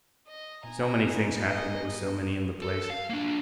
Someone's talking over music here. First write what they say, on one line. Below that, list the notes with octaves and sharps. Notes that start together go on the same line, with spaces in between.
So many things happened--there were so many in the place.
D#5
A#2 B3 D#4 G#5 A#5
G#2 G#4 D#5
A4
F5
A#3 D4